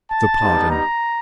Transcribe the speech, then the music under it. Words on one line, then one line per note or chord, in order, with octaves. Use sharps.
The Pardon.
A5
G3 B3 D#4 G4
A#5